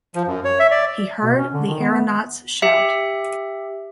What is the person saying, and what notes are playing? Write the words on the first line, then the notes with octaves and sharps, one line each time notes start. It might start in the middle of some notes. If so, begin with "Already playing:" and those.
He heard the aeronauts shout.
F3
F#2
C#5
E5
D5
B2
C#4
D3
D#3
B3
B3
G4 E5